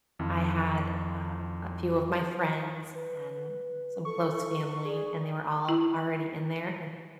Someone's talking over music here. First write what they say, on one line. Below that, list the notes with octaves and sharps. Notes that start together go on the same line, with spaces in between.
I had, um, a few of my friends and some close family, and they were all already in there, and
F2 D#3 E4 F4
B4
A4 C#6
G#4 D5
E4